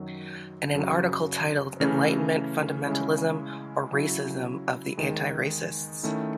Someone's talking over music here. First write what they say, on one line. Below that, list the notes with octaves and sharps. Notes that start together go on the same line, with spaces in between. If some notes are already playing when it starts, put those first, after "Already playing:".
In an article titled Enlightenment Fundamentalism or Racism of the Anti-Racists?
Already playing: F#2 D#3 F#3
F#2 C#3 F#3
C#3 E3 A3 C#4
C#3 G#3 C#4 E4
C#3 F#3 C#4 E4
E2 D#3 G#3 D#4
D#3 A3 C#4 E4